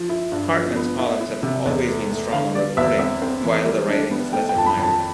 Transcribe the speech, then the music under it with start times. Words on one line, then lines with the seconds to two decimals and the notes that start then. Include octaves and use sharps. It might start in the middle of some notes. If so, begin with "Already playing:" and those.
Hartman's columns have always been strong on reporting, while the writing is less admired.
Already playing: F3
0.09 E4
0.32 G2
0.54 F3
0.76 B3
0.99 E4
1.20 E4
1.43 C3
1.66 E2
1.88 A3
2.10 A3
2.32 D3 F5
2.54 G3 D5
2.77 E2 E5
2.99 C4 E5
3.22 C4
3.44 E3
3.66 G3
3.88 D4
4.10 B3
4.33 A3 G5
4.49 G5
4.55 F2 A5
4.66 B5
4.77 F2
4.82 A5